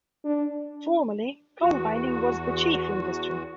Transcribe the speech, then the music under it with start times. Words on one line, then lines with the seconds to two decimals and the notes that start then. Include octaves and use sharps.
Formerly, coal mining was the chief industry.
0.25 D4
1.61 E2 F#4